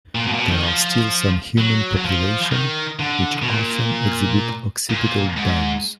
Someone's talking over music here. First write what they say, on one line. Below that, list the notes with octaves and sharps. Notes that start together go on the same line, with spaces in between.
There are still some human populations which often exhibit occipital buns.
A#2
B2
A#2
B2
D#3
F3
F#3
F#3
F3
D#3
D3
B2
A#2
A#2
G#2